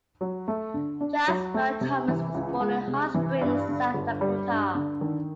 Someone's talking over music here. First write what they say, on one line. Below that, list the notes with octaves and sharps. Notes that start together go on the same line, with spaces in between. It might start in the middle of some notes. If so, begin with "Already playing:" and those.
Jess Floyd Thomas was born in Hot Springs, South Dakota.
F#3
A3
D3
D4
F#3
A3
C3
E3
C#2
G#3
C3
E3
G2
D3
G1
G3
G2
D3
D#3